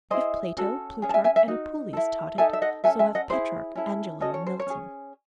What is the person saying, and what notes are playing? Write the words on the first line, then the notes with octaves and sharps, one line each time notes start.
If Plato, Plutarch and Apuleius taught it, so have Petrarch, Angelo and Milton.
E4 G#4 C5 D#5
C#4 F#4 A4
C#4 G#4
A5
E5 G#5
E5 G#5
E5 G#5
D#4 F#4
E4 A4
D#4 A4 E5 G#5
E5
D#5 F#5
C#4 F#4 A4 E5 G#5
E5 G#5
D#5 F#5
E4 G#4 C5
C#4 E4 A4
C#4 F#4 A4 D#5
C#5
C5
C#5
C#4 G#4